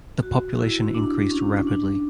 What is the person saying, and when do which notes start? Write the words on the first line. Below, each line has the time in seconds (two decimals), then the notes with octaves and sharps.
The population increased rapidly.
0.23 F#4
0.59 E4
0.95 D4
1.31 C#4
1.67 D4